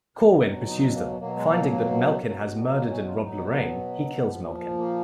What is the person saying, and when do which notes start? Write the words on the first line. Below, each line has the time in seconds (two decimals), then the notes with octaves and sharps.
Corwin pursues them; finding that Melkin has murdered and robbed Lorraine, he kills Melkin.
0.17 B2 F#3
0.68 D#4
0.94 A#3
1.20 B2 F#3 A#3
1.36 G#3
1.53 A#3
1.71 A#3
2.22 B2 F#3
2.74 A#3
2.91 C#4
3.08 F4
3.24 B2 F#3 D#4
3.51 B3
4.27 A#2 F3
4.78 A#3